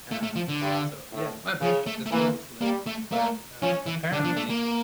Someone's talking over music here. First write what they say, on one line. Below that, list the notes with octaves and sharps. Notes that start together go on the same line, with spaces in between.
Um, so, yeah, my bad, just a little slip, but, uh, apparently,
A3
A3
F3
D3
G2
A2
C#3 F3
A3
A3
E3 A#3
G3 A#3
A3
A3 A#3
F3 C#4
E3
D3 D4
F3
A3
A#3